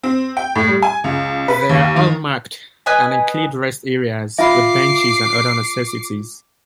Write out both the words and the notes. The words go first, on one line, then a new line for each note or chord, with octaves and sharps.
They are all marked and include rest areas with benches and other necessities.
C4
G5
A2
G3
G#5
C#2
B4
D#2
D#3
B4 D#5 G#5
F4 E5 B5 D6 C7